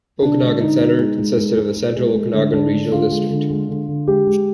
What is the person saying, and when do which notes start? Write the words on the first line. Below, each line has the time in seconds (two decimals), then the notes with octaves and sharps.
Okanagan Centre consisted of the Central Okanagan Regional District.
0.22 D3 D4
0.42 G#3
0.61 D3 D#4
0.80 G#3
0.99 G#3
1.19 G#3
1.37 G#3
1.57 G#3
1.77 G#3
1.96 G#3
2.15 G#3
2.34 D3
2.53 G#3 D4
2.72 D3
2.92 D3 F4
3.11 G#3
3.30 D3
3.50 G#3
3.69 D3
3.89 D3
4.08 G#3 G4
4.27 G#3